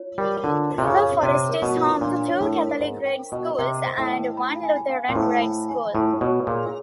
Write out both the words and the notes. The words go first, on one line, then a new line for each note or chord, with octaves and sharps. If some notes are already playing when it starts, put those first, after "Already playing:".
River Forest is home to two Catholic grade schools and one Lutheran grade school.
Already playing: F4 C#5
G3 A#4
D3 F4
F4
C3
C#3
C#5
C3 C#5
A#4
B2
F4
A#2 D4
C#5
A2
A#4
G#2 C5
G5
B2 D#5
C3 C5
C5
A2
G5
B5
G#5
F5
A#2
A2 C5
B5
G#5
A2 F4
B2 C#5
A#2 G#4